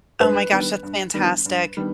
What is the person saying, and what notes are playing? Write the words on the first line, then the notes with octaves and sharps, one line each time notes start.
Oh my gosh, that's fantastic.
G2 B4
D#3 G3 B3 D4
G2
D#3 G3 B3 D4
G2
D#3 G3 B3 D4